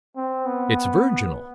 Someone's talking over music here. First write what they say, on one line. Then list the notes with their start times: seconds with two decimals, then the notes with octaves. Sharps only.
It's virginal.
0.16 C4
0.46 B3